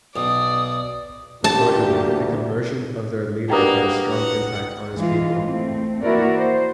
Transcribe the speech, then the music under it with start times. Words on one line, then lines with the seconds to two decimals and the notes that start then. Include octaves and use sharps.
Accordingly, the conversion of their leader had a strong impact on his people.
0.16 B1 D5 D#6
1.44 D2 A#3 G4 A5
3.50 G3 A#3 D4 F#4 B4 G5 A#5 D#6
4.11 F#5
4.96 E3 G#3 F4
5.46 A3 C4
6.01 E3 A#3 E4 F#4 A#4 D5
6.37 C5